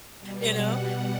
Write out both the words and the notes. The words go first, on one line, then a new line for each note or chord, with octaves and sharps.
you know,
B2 G3
F#5
F#5